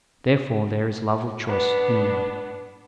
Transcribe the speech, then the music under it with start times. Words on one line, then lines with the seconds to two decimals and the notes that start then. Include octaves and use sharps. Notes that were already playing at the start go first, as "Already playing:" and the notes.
Therefore there is love of choice in them.
1.47 B3 D4